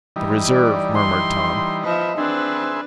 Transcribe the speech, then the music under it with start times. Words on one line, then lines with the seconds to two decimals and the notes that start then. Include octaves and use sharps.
"The reserve," murmured Tom.
0.16 E3 G3 D#4
0.49 D5
0.96 C6
1.84 F3 B4 D#5 E5
2.18 C4 D4 G#4 B4 C5 E5